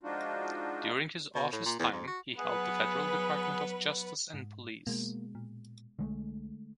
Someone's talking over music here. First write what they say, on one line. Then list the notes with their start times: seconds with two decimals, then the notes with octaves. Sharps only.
During his office time he held the Federal Department of Justice and Police.
0.03 F3 G#3 D4 D#4 F4 F#4
1.35 B2
1.53 A2
1.65 A#2
1.79 E2
1.92 F2
2.07 F#4
2.38 F#3 B3 G#4 B4 F#5
4.34 G#2
4.87 B2 G#3 A#3
5.35 A#2
5.99 B1 D3 G#3 A3